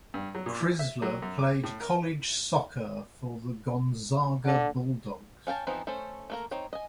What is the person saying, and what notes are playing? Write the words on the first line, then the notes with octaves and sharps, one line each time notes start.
Crisler played college soccer for the Gonzaga Bulldogs.
G2
F#3
A#2
E3
E5
F#3
F#2
D6
A2
A#4
D3
C#4 F5 G5 A5
E3 F3 B3 C4 D#4
A3 C#4 A4 C5
A3 A#3 A#4
C4 D#4 C#5
D#5 G#5